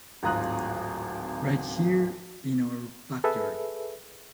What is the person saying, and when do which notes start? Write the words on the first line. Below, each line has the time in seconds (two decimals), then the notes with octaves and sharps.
Right here in our backyard.
0.23 D1 G#1 F4 A#5 D#6 F#6
3.24 G#4 A4 B4 E5